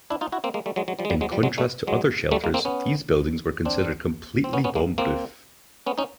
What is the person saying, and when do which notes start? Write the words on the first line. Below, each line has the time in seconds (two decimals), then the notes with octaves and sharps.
In contrast to other shelters, these buildings were considered completely bomb-proof.
0.10 D4 E4
0.21 D#4 F4
0.32 E4 F#4
0.44 A#3 C4
0.54 G#3 A#3
0.66 G3 A3
0.76 F#3 G#3
0.88 F#3 G#3
0.99 F3 G3
1.05 G#3
1.10 F3 G3
1.21 F#3 G#3
1.32 F3 G3
1.43 F#3 G#3
1.58 G3 A3
1.87 F#3 G#3
2.31 G3 A3
2.44 G#3 A#3
2.54 A#3 C4
2.65 B3 C#4
3.65 C4 D4
4.44 C4
4.53 B3 C#4
4.64 B3 C#4
4.75 G#3 A#3
4.98 A#3 C4
5.86 B3 C#4
5.98 C#4 D#4